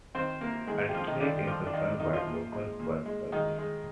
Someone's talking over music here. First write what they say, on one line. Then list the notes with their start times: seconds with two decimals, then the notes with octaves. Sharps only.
Aldridge is served by local bus services.
0.15 D#3 C4 C5
0.41 C3 A#3 A#4
0.67 D#3 G#3 G#4
0.89 G4
0.94 F2 F3 F4
1.07 D#3 D#4
1.20 D3 D#3 D4
1.37 G4
1.47 F3 G3 F4
1.67 D4
1.74 D#3 D#4
2.00 C3 D#3 D#4
2.13 F3 F4
2.27 A#2
2.53 G#3
2.79 A#2
3.06 G#3
3.32 D#3 G#3 D#4
3.59 G#3